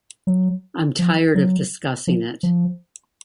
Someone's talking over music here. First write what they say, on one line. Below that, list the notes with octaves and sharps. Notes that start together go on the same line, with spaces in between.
I'm tired of discussing it.
F#3
F3
F#3
F3
F3